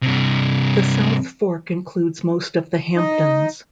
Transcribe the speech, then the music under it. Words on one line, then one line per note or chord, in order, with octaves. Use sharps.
The South Fork includes most of the Hamptons.
G2 C3
D#4 D#5